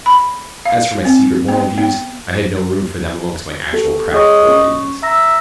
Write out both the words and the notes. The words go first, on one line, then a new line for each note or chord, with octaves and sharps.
As for my secret moral views, I had no room for them amongst my actual, practical opinions.
B5
F5
C4
B3
B3
B3 G4 A4
G#4 C#5 D#5 C#6
C#4 C#6
E5 A#5 A#6